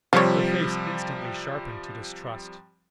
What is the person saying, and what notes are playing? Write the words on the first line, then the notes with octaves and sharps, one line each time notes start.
Her face instantly sharpened to distrust.
C3 F3 G3 F4 C#5